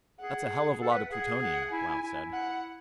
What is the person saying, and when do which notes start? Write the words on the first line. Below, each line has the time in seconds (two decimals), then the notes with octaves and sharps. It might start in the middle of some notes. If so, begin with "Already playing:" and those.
"That's a hell of a lot of plutonium," Blount said.
0.21 G#4 F#5
0.81 A4 F#5
0.91 B4
1.12 G#4 F#5
1.41 F#5
1.72 E4 G#5
1.88 E4
2.02 E4
2.33 F#5